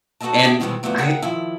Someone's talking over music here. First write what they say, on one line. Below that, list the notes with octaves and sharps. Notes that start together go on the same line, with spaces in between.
And I
D#4 F#4 G#4 A4 D#5 A5
D4 G4 G#4 E5 F5 G5
B2 D#3 E3 G3 G#3 C4
F2 D3 F#3 A3 B3
D#2 G#4 A#4 E5 F#5 G5
D#3 F3 E4